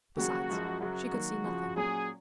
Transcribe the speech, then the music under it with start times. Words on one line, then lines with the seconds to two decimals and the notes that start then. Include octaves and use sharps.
Besides, she could see nothing.
0.17 D#2 C#3 F#3 F#4
0.49 F#2 F3 G#3
0.81 F#2 C#3 F#3 F#4
1.12 D#3 F#3 A#3
1.44 F2 C#3 F3
1.76 A#2 F#3 C#4 G#4